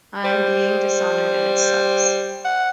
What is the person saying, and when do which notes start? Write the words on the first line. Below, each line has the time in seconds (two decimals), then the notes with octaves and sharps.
I'm being dishonored, and it sucks.
0.24 G3 C5
2.45 F#5